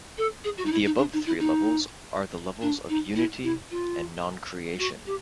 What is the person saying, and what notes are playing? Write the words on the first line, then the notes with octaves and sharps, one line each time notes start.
The above three levels are the levels of Unity and non-creation.
A4
G#4
F#4
D#4
E4
D#4
D4
D#4
E4
D#4
D4
D#4
E4
E4
F4
F#4
G4